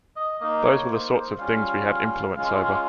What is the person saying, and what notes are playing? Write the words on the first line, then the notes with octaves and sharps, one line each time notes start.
Those were the sorts of thing we had influence over.
D#5
A#3 D#4 D#5
C#5
C5
C5
G3 C#4 F4 F5
G#3 C#4 F4 F5